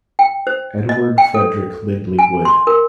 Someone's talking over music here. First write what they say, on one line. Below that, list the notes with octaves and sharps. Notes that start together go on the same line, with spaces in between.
Edward Frederick Lindley Wood.
G5
C5
D#5
G5
A4
G#5
C6
A#4